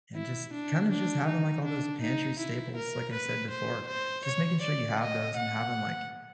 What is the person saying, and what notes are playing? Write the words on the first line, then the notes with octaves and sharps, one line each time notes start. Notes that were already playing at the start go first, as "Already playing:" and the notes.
and just kinda just having, like, all those pantry staples, like I said before, just making sure you have those and having, like,
E4
D4
D4
D#4
D4
D#4
E4
A#4
B4
C5
C5
C#5
D5
D#5
F#5